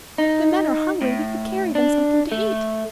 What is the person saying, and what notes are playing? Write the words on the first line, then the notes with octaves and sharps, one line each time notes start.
If the men are hungry we could carry them something to eat.
D#4
A2
D4
A3